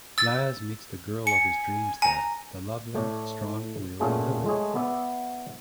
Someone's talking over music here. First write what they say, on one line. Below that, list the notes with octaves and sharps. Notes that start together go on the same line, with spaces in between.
Laz meets the girl of his dreams there, the lovely, strong-willed Lily.
E6 A6
G#5 C#7
G#5 A#5
A2 A3 C#5 D5
A#2 A3 B3 C#4 F4 G#4
G#3 A3 G#4 C#5
B3 D5 E5